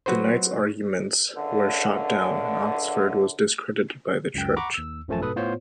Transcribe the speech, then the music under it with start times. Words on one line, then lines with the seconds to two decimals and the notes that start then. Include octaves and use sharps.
The knights' arguments were shot down, and Oxford was discredited by the Church.
0.06 F#3 F#4 B4 C5
1.36 C#2 F#2 D3
4.34 C#2 F#2 G5
4.56 F#5 A#5 B5 C#6 D6
4.74 D#2 E6
5.08 A1 F#2 F3 A3 G#5 A5
5.20 G#2 B2 A4 B4 D#6
5.36 A2 B3 F4 C5 C#5